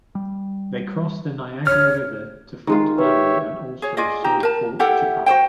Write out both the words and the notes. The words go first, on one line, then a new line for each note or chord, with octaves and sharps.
They crossed the Niagara River to Fort Erie and also saw Fort Chippawa.
G3
G#1 D2 C#5 F6
D#3 G#3 F4
G4 B4 C#5 E5
G#4 C#5
F4 G#4 D5 D#5
D#4 G4 A#5
A#4 A5
E4 G4 A4 F#5
F#4 G#4 C5 G5